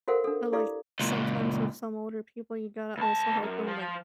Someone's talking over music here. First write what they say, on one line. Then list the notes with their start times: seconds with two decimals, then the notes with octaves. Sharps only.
And, like, sometimes with some older people, you gotta also help them, like,
0.08 F#4 A4 A#4 C5 F5 F#5
0.24 D4 A4
0.52 E4 G4 A4 D5 F5 D6
1.00 C#2 A#2
2.98 C#2 A5
3.42 F#2
3.67 F3